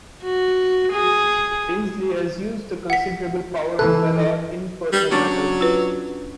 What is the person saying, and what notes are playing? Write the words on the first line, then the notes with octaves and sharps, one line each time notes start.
Tinsley has used the considerable power of Mallard in personal matters.
F#4
G#4
F#5 B6
E3 A4 F#6
G3
F#3 C#4 D4
F4 B4